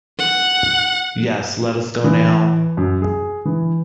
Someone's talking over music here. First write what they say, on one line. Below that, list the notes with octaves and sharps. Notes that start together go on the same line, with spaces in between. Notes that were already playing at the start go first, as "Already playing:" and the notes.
Yes, let us go now.
F#5
E3
F#2
G#4
E3